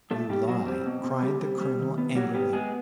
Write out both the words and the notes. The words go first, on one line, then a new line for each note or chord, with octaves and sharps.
"You lie!" cried the colonel, angrily.
G3 A3 A4
B2 G3 G4
B2 F#3 F#4
G3 C4
B2
B2
G3
G3
G3
D#3
B3
F#3 G3 F#4
G3 B3 G4
G#3 B3 G#4